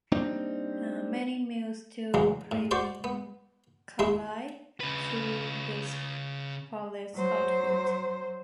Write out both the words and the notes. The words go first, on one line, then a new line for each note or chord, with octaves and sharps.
Many mills still operate in Kallai, though with far less output.
G3 A#3 C4 D4 D#4
C#3 E3 F#3 G#3
A2
F#4 C5 D5 C6 C#6
B3
D#2 G#3 E4 E5 C6
C#3 B4
F#3 C5